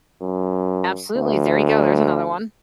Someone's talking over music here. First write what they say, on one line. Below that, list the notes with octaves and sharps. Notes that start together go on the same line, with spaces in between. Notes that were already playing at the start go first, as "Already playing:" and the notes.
absolutely, there you go. There's another one,
F#2
D2